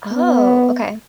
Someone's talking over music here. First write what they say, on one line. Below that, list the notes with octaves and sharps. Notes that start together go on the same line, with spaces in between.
Oh, okay.
B3